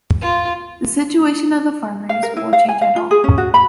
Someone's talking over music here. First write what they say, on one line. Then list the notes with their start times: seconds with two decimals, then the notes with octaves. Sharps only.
The situation of the farmers won’t change at all.
0.22 F4
2.09 F5
2.23 A#4
2.37 E4
2.53 F5
2.69 G#5
2.82 F5
2.96 F4
3.11 G#4
3.24 C#4
3.38 F#4
3.54 B5